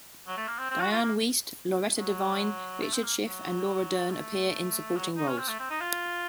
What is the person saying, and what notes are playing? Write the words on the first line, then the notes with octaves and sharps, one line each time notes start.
Dianne Wiest, Loretta Devine, Richard Schiff and Laura Dern appear in supporting roles.
F#3
A3
A#3
C4
C4
F#4
F4
A#3
F#3
A3
C4
A#3
F#3
A3
F#3
D#4
C#4
C4
A3
C4
D#4
F4